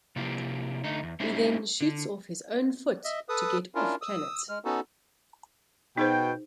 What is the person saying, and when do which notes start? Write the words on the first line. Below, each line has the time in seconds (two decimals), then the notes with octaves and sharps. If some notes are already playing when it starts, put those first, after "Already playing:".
He then shoots off his own foot to get off-planet.
0.16 C3 F3 A#3 E4 G4
0.84 D3 A3 D#4
1.03 E2
1.20 G#3 C#4 D#4 E4 G4 C5
1.81 D3
3.04 D#5 E5
3.29 A4 B4 D#6
3.75 C#4 D4 E4 F4 A#4
4.02 D#6 E6
4.49 G#3 F6
4.65 B3 C#4 D#4 F#4 A4
5.98 B2 D#4 G#4 C5 G5